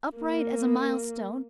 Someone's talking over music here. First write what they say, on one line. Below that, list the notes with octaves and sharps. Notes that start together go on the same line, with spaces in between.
Upright as a milestone.
A#3